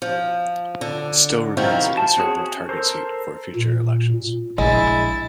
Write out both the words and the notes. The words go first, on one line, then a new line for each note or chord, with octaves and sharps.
It still remains a Conservative target seat for future elections.
F3
D3
C3 D#3 F3 E4 F#4 A#4
A5
C4 F#4 G#4 C#5
C#4
A4 A#4 C5
A#2
A#1 G#3 E4 A6